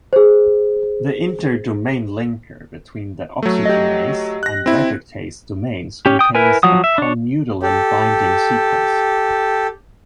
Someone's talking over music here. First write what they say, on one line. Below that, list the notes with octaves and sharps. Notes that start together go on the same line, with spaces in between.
The interdomain linker between the oxygenase and reductase domains contains a calmodulin-binding sequence.
G#4 C5
F#3 A3
G4 D#5
F#6 A#6
C4 E4
C#4 G4
G5 D#6
E4 A#4 B4 G#5
F3 F#3 F#5 D#6
E5
D4 C#5
G4 A4